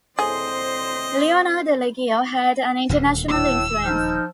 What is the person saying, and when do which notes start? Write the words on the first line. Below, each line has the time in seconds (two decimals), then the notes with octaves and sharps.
Leonard Liggio had an international influence.
0.19 D2 A2 C4 G#4 C5 D#5 C6
2.89 D#1 D2 A#2
3.28 A2 E6
3.83 F3 D#4 F6 G6